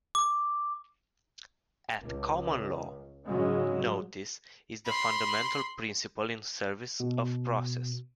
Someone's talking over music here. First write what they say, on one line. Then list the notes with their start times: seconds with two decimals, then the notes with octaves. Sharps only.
At common law, notice is the fundamental principle in service of process.
0.15 D6
2.04 C#2
3.27 G#2 C#3 F#3 G#3
4.86 B5 C6
7.00 B2